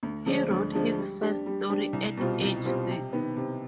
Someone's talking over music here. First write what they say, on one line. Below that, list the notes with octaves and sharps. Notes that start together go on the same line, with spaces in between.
He wrote his first story at age six.
D2
D3 F3 G#3 D4
D2
D3 F3 G#3 D4
G3
D4 G4
G3
D4 G4
C2
B2 G3 C4 F4
C2
B2 G3 C4 F4
C3
D#3 B3
C3